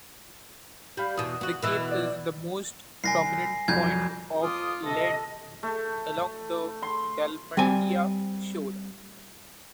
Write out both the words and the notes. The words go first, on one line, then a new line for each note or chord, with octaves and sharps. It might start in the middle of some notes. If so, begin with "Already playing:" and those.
The cape is the most prominent point of land along the Dalmatian shore.
G3 F5 B5 G6
E2 B2 D#6
B3 F#4
B2 E3 B3 B5 E6
D5
C2 G#5 A#6 C7
C2 F2 F#3 G6 G#6
F2 F4 D6 D#6
C3 A4 D#5
A3
C6
G3 C4 G#5